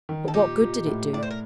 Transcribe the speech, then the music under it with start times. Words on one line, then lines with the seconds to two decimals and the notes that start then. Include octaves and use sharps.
But what good did it do?
0.09 D#3
0.28 A4
0.34 A#2 D#4 G4
0.61 A#2
0.86 A2
1.13 A2 D5
1.23 C5
1.31 A#4